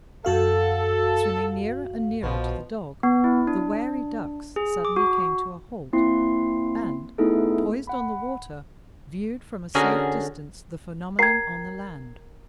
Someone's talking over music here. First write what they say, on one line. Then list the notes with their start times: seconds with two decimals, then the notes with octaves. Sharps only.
Swimming nearer and nearer to the dog, the wary ducks suddenly came to a halt, and, poised on the water, viewed from a safe distance the phenomenon on the land.
0.25 F#2 F#4 A4 F5
2.23 A#1 B2 F3
3.03 B3
3.24 E4
3.47 D4
4.56 G#4
4.85 D6
4.96 F#4
5.93 A#3 C4 E4 C6 C7
7.18 A3 B3 D#4 E4 G#4 A4
7.87 F#5 B5
9.75 D3 C#4 F#4 G#4 A#4
11.19 A#4 G5 A#5 G#6 C7